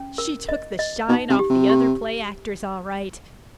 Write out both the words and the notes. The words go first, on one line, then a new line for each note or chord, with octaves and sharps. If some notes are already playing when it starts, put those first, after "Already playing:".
She took the shine off the other play-actors all right.
Already playing: C#4
A#4
D#5
D#5
B2 D#4
C3
G4
C3
G4